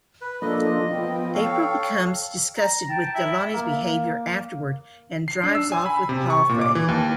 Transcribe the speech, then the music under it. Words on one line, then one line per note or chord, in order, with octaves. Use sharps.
April becomes disgusted with Delauney's behaviour afterward and drives off with Palfrey.
B4
F3 A#3 D4 A4 D#5
F4
F3 B3 G5
A4 C#5 F5
A#5
G5 A5
E4 E5
A#3
C7
D4
E6
G#5
B5
C3
C#6
A#2
D6
E3
D#2